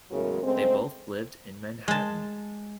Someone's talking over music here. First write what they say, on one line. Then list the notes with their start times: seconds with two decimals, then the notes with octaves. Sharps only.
They both lived in Manhattan.
0.11 E2 A2 C#3 F#3 G#3 A#4
0.43 C#3 G#3 A3 C4
1.88 G#3 A5